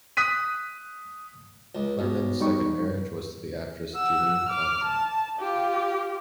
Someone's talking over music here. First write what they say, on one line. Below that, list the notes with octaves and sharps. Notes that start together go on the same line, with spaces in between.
Clurman's second marriage was to the actress Juleen Compton.
D#6 F#6 B6 D#7
C#2
B1
G3 D#4 C#6
F#5 E6
D6 F6
A5
F4 G4